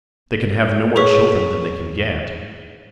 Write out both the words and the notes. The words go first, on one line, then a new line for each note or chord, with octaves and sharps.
They can have no more children than they can get.
G#4 B4 C#5 C#6 B6